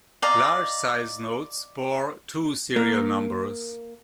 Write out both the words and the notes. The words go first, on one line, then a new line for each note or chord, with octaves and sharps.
Large-size notes bore two serial numbers.
D5 D#5 F5 A#5
A#3